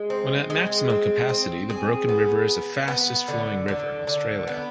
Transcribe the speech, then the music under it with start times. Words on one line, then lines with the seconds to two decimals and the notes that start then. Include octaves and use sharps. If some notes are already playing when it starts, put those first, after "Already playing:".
When at maximum capacity, the Broken River is the fastest flowing river in Australia.
Already playing: G#3
0.10 C4
0.50 G#3
0.90 C4
1.29 C4
1.70 G#4
2.09 B3
2.48 B3
2.88 B3
3.28 D3
3.68 D3
4.07 D3
4.47 B3